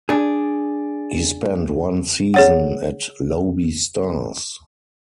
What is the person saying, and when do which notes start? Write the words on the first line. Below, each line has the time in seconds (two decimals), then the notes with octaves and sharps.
He spent one season at Lobi Stars.
0.09 D4 G#4
2.34 G#4 C#5 F#5